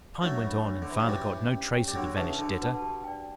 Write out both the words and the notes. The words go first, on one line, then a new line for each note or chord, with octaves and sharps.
Time went on and father got no trace of the vanished debtor.
F#3 A3 D4
A4 C#5 E5 B5
D4
D3
E3 A4 C#5 E5 B5
F#3
E3 G3 C#4
G4 C#5 G5
C#4
G4 C#5 G5
G3
D3 F#3 D4
C#3 E3 F#4 B4 F#5 A5
D3 D4
F#4 B4 F#5 A5
G4
D5 G5